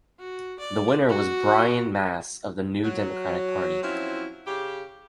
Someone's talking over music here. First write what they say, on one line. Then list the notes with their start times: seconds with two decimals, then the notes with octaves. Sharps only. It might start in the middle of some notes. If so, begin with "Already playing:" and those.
The winner was Brian Masse of the New Democratic Party.
0.19 F#4
0.60 D5
1.09 F#4
2.85 F#3
3.83 F3 F#3 C4 C#4 E4
4.47 C#3 G4